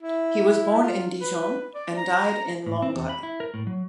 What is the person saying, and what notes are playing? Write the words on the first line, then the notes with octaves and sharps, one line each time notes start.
He was born in Dijon and died in Langres.
E4
F4
B4
D5
A#5
A2
C4
E2
B5
E4
A#4
A2
F#3